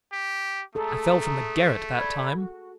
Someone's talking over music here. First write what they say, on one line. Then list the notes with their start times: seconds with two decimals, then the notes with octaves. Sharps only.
I fell from the garret that time.
0.13 G4
0.75 A3 G#4 A4 A#5 D#6
1.98 D5 B5 G#6
2.33 F#4